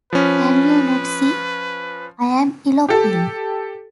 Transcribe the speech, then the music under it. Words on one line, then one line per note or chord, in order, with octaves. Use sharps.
Can you not see - I am eloping!
F3 C#4 B4
G4 A4